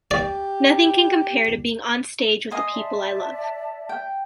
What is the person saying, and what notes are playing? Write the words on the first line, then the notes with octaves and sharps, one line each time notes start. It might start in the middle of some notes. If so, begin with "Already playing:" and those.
Nothing can compare to being onstage with the people I love.
G4 D5
D#5 G#5 C6
D5 E5 A5
G5